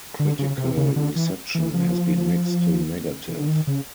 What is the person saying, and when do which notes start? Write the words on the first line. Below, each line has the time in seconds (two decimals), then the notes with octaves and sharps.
Critical reception has been mixed to negative.
0.19 D3
0.39 C#3
0.58 C3
0.77 C#3
0.96 D3
1.16 E3
1.55 E3
1.74 F3
3.28 E3
3.39 D3
3.47 D#3
3.67 C#3